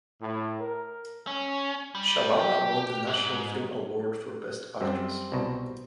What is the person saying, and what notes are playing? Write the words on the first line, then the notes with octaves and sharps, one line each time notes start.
Shabana won the National Film Award for Best Actress.
A2
A#4
C#4
G3
G4
G#2
F#2 G3 C4
C2 B2